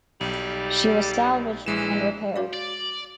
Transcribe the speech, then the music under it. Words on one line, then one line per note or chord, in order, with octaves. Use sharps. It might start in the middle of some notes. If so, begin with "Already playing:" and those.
She was salvaged and repaired.
B1 G3
A#1 E3 G#3 E7
F#4 C#5 F5
D5